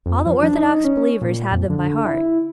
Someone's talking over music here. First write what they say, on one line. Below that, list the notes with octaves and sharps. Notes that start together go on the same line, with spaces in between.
All the orthodox believers have them by heart.
F2
F3
D4
D#4
C#4
A#2
F2
D3
E4